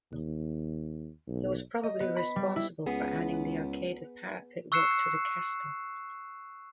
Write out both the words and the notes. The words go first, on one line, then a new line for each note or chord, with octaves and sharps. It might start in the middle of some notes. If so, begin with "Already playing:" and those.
He was probably responsible for adding the arcaded parapet walk to the castle.
D#2
B1
D#5
B3
B5
G3
E4
C#2 B3 G#4
C#6 E6 F#6 C7 C#7 E7